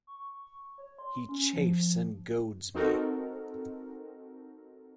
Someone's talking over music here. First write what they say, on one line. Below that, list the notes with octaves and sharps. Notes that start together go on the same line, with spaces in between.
He chafes and goads me!
C#6
C#5
C6
C#4
F3
C4 D#4 F#4 A4 A#4